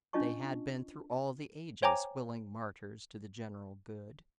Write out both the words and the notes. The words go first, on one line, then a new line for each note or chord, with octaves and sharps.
They had been, through all the ages, willing martyrs to the general good.
C#4 D4 F4 D#5 A5 C#6
C5 C#5 G5 G#5 A#5 D6